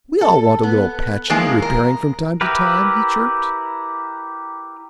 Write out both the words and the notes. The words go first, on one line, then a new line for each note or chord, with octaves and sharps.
'We all want a little patching and repairing from time to time,' he chirped.
A4
B3
D#3 F3 G#3 A#3 E4
A#4
E4 G4 A#4 B4